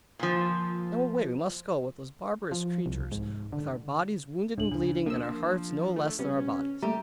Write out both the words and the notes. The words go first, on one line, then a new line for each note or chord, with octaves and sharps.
Now away we must go with those barbarous creatures, with our bodies wounded and bleeding, and our hearts no less than our bodies.
A#2 F3
F3
C2
G#2
D3
D2 A2 D4 F#7
C#3 D4
F3 A#3 E6
A3
C3 G3 B3 C#4
G3 A3 A#3 G4 E5 A#5